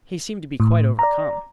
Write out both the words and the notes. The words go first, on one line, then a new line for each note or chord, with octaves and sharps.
He seemed to be quite overcome.
A2
D5 A#5